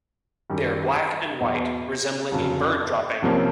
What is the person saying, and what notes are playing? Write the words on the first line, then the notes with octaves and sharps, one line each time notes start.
They are black and white, resembling a bird dropping.
F#2 D#3 G3
E2 B2 F#3 B3
G1 F2 C#3 F#3
C2 C3 F3 A#3 C#4